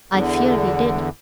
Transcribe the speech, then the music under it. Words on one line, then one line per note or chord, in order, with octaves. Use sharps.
I fear he did.
E2 D3